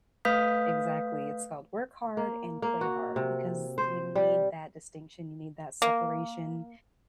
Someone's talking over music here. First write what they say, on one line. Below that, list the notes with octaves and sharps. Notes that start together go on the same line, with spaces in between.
Exactly, it's called "work hard and play hard," because you need that distinction, you need that separation.
A3 B4 F5 D#6 G6 B6
A#3
A#3
F#4
C3
C5
G3
A#3